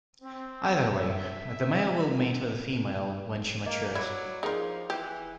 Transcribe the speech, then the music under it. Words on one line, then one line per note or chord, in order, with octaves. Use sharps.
Either way, the male will mate with the female when she matures.
C4
E5
A#3 D#5
F#3 E4 D5
F3 D#4 G#4 A#4
E3 G4